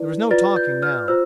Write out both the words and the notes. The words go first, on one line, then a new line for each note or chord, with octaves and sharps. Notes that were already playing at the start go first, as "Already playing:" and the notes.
There was no talking now.
Already playing: E4 B4 D5
F4 B4 D5 A6
G6
F6
F4 C5 E6